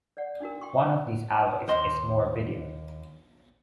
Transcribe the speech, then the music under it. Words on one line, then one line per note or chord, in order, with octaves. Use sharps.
One of these alloys is morbidium.
C#5 D5 F#5
D4 D#4 F#4 A#4
G5 C6 C#6
D#2 C5 D#5 C6